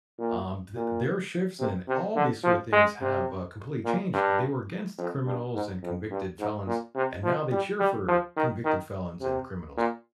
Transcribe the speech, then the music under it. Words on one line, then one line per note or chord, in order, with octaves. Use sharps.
um, th their shifts, and all these sort of things have, uh, completely changed; they were against criminals and convicted felons, and now they cheer for convicted felons, and criminals.
A#2
A#2
C3
C3
D3
F3
G#3
C3
A#2
G2
F2
G2
G#2
F2
G2
G#2
A#2
C3
F3
G3
G3
F3
D#3
D#3
C3
A#2